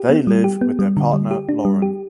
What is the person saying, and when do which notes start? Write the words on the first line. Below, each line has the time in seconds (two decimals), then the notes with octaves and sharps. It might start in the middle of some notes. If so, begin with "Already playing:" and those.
They live with their partner Lauren.
Already playing: G4
0.10 B3
0.27 G3
0.44 G4
0.61 B3
0.79 G3
0.97 D3
1.13 G3
1.31 G4
1.49 D4
1.65 G3
1.82 G4